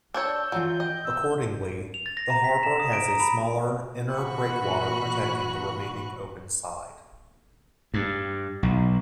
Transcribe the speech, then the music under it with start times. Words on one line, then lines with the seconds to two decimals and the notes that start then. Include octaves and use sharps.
Accordingly, the harbour has a smaller inner breakwater protecting the remaining open side.
0.14 D4 A4 C#5 E6 G6
0.52 D3 E3 F#3 F4
0.80 D#5 G5
1.04 C3 E6
1.94 F7
2.06 A6
2.17 A#6
2.30 A#5
2.44 B6
2.63 E7
2.80 D#6
2.93 D7
3.08 A#5
3.20 B5
4.12 A#2 E3 F#4 B5 C#6 F#6
7.94 G2
8.63 B1